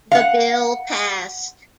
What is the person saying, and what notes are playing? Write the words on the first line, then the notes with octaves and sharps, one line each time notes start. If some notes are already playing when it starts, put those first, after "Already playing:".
The bill passed.
F5 F#5